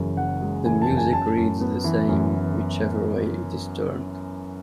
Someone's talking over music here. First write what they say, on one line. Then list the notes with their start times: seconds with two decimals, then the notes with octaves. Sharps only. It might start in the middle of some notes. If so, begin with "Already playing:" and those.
The music reads the same whichever way it is turned.
Already playing: F#1 F#2 E3 G#3
0.17 F#1 F#5
0.41 G#3
0.65 E3 G#5
0.82 A5
0.90 F#2
0.97 G#5
1.13 F#2 A5
1.37 F#2
1.61 B3
1.84 E3
2.09 F#2